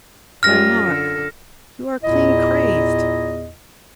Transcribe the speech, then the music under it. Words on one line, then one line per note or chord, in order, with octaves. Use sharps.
"Why, Mark, you are clean crazed!"
F#2 G3 F4 F6 A#6
D3 A4
E2 A#2 E4 D#5